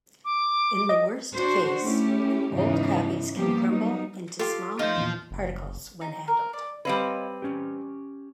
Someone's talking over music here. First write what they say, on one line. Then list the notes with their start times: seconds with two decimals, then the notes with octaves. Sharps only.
In the worst case, old copies can crumble into small particles when handled.
0.25 D6
0.89 D#5
1.35 D4 F#4 C5
1.82 A3 C#4 E4 G4
2.54 E2 G#2 C#3 E3 D#4
3.34 F3 G3 A#3 B3 G4
3.68 F#3 G3 B3 D#4
4.39 F4 G4 A4 C6
4.79 A3 D#4 F4 C5
4.97 E2 A#2
5.31 F#1
6.01 D#4
6.28 A#4
6.53 D5
6.85 G3 C4 B4 C#5 D#5 F5
7.42 C#4 G4